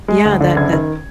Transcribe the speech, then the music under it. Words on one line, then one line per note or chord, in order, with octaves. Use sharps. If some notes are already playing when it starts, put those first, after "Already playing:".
Yeah, that that p
G#3
D2
D3
F#1 G#6
D#3